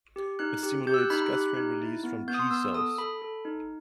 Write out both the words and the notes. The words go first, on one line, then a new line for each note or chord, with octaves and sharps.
It stimulates gastrin release from G cells.
G4
D#4 F#6
G4
G4 G6
E6
F#6
D#4 B5
B5
G4 F#6
D#4
E4
B3
B3 G6
D#6
C6
B3 E6
E6
A4 D#6
A4 B5
A4
D#4